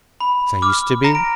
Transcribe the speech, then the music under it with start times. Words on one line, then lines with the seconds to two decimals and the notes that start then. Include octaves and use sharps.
"As I used to be?"
0.20 B5
0.62 D6 F6
1.04 A#5 A#6
1.15 D7